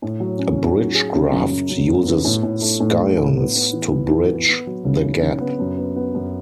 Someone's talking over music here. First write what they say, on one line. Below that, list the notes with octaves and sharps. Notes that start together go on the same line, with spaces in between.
A bridge graft uses scions to 'bridge' the gap.
A2
F#3
C#4
C#4
F#3
G#4
C#3
F#2
F#2
F#2
F#2
B3
A2
A2
A3
A2
A2
A2
B3
B3
E3
B3
E3
B3
B3
F#3
C#3
C#3
C#3
B3
F#2
B3
B3
F#2